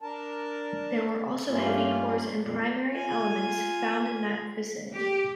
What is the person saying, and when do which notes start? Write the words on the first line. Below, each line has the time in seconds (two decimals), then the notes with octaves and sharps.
There were also heavy cores and primary elements found in that vicinity.
0.02 D4 A#4 A5
1.49 G2 A3 A#3 C#4 F4
2.42 F2 A#2
2.92 F4 G#5
4.94 G4